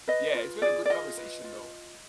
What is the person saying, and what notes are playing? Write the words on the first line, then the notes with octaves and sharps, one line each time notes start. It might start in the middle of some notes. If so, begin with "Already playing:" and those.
Yeah, it's been a good conversation, though.
B4 D#5
F4
G#4 D5
D5
F4 D#5
B4
F4